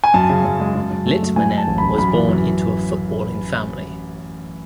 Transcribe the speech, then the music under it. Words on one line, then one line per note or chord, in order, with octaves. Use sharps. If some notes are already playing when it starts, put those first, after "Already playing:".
Litmanen was born into a footballing family.
G#5
F#2 A5
C#3
F#2
G#3
F#2
F#2
A3
F#2
A2 G#5
A2
A5
A1
A1 B5
F#2 B5
E3
F#2